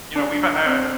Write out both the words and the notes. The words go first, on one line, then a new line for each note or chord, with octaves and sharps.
you know, we've, uh, had
D4
C4